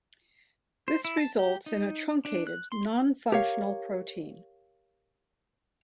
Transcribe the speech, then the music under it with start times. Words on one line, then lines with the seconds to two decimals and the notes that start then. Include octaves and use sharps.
This results in a truncated non-functional protein.
0.88 C5
1.05 E4
1.17 A5
1.39 G4
1.66 D#4
2.25 D4
2.47 F#6
2.72 C6
3.32 G4 A#4 C#5 F5